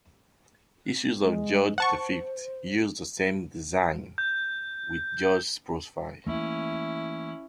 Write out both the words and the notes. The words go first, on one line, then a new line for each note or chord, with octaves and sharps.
Issues of George the Fifth used the same design with George's profile.
G#3
C5 F#5 A5 C#6
G6
E3 A3 A#3 C#4 E4